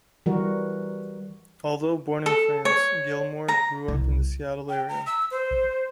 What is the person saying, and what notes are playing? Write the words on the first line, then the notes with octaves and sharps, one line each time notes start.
Although born in France, Gilmore grew up in the Seattle area.
E3 G3 F#4 A#4
A4
C#5
A#5
C2
G5
A#5
E6
C5